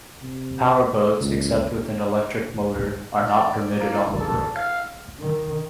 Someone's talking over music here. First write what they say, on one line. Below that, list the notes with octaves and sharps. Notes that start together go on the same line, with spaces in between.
Power boats, except with an electric motor, are not permitted on the brook.
C3
C#2
D5
A#3 E4 F5 A#5
D4 G#4 A4 B4
C#5 F5
D#3